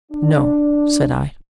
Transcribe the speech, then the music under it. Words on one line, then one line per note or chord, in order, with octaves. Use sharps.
"No," said I.
D4